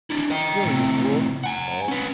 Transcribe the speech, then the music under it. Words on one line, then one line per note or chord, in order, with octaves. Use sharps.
"Keep still, you fool!" I bawled.
D4 E4
D#5 G5
A2 C3
F#5 G#5
C#4 B4